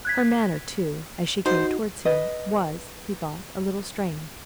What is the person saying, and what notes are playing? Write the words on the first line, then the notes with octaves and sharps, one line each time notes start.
Her manner, too, as she came towards him, was, he thought, a little strained.
F#6 G#6 B6
D#4 F#4 C5
B4 D#5